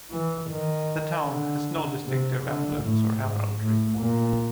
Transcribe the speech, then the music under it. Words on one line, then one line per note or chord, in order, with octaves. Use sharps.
The town has no distinctive emblems or heraldry.
E3
D#3
D3
C3
D3
A2
G#2
A2
A#2